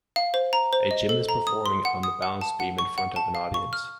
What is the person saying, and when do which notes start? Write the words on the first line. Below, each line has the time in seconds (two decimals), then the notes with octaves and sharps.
A gymnast performing on the balance beam in front of an audience.
0.16 F5
0.34 C5
0.53 A#5
0.73 C5
0.91 D#5
1.09 A4
1.29 A#5
1.47 D#6
1.66 C6
1.85 F#5
2.03 D#6
2.22 F#5
2.41 A5
2.60 F#5
2.79 C#6
2.98 F#5
3.16 A5
3.35 F5
3.54 C#6
3.73 F6